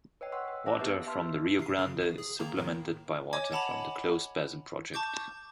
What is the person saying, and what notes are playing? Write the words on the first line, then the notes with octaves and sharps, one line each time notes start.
Water from the Rio Grande is supplemented by water from the Closed Basin Project.
B4 C#5 D#5 G5
F#5 G5 C6 C#6 E6 F#6
E6
B4 D#5 F5 A5 D6 F#6
B3 G4 B4 E5 G6
E5 A5 C6 E6 F6 B6
C3 C7
C#3
A#1
G#4
D#3 A#3 A#5
A2 D#3
C#5 D#5 G#5 D6 G#6
F#5 A5 B5 F7 F#7
A5 C#6 D6 G6